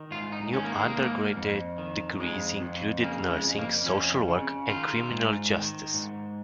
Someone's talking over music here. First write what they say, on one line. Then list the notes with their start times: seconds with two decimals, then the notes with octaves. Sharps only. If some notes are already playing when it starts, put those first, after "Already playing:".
New undergraduate degrees included nursing, social work, and criminal justice.
Already playing: D#3
0.11 G#2 F4
0.32 D#4
0.53 D#3 C#4
0.65 A#3
0.74 G#3
0.86 A#3
0.96 G#2
1.36 F2
1.78 D#3
2.20 F2 G#3
2.61 F2
3.03 C#3 A#3
3.31 G#3
3.44 F2
3.59 A#3
3.86 F2 C#4
4.28 C#3
4.69 D#3 F4
5.11 G#2
5.53 D#3
5.94 G#2